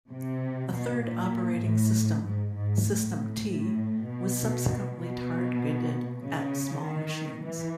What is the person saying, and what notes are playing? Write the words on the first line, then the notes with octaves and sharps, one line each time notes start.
A third operating system, System T, was subsequently targeted at small machines.
C3
B2
A#2
A2
G#2
G#2
A2
A2
B2
B2
C#3
D#3
E3